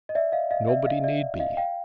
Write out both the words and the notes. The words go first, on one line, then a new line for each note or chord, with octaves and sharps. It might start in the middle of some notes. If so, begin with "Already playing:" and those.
'Nobody need be.
D#5
D5 E5
D#5 F5
D#5 F5
D5 E5
D#5 F5
D5 E5
D#5 F5
F5 G5